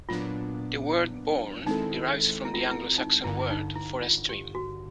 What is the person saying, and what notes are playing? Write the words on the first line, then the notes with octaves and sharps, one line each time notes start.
The word bourne derives from the Anglo-Saxon word for a stream.
A#2 F#3 B3 D4 F4
D#3 G#3 C4 D#4 E4 A4
E4
F4
E4
E4
D#4
G#1 G2 D3 E4
E4
D#4
E4
F4
G4
F#4